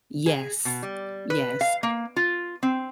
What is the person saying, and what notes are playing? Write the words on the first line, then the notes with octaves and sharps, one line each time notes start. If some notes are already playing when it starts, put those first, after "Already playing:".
Yes, yes.
G#4
B2
G3
B4
F5
A#3
F4
C4